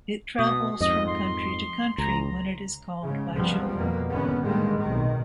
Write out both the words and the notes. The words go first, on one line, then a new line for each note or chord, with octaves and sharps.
It travels from country to country when it is called by children.
B2 D#6
F2 G#2 D#5
C6
C#2 A#5
G#2 C#3
C#2 C3 F3 G3 B3
F2 B2 A#3
G#1 E2 D3 D#3 B3 C#4
A2 D3 D#3 G3 G#3 A#3
B1 C3 D#3